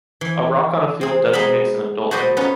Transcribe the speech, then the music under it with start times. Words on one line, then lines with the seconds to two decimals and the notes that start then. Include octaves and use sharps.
A rock on a field designates an adult menhir.
0.21 E3
1.01 C4 G#4
1.33 G#3 B3 C4 D#4 E5 B5
2.11 F#4 A4 B4 C5 D5 D#5
2.37 B3 C#4 D#4 F4 B4